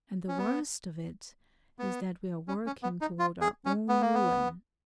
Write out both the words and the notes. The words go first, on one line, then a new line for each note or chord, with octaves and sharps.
And the worst of it is that we are working toward our own ruin.
C#4
B3
B3
C#4
C#4
B3
D#4
F4
G#4
C#4
B3
A#3
B3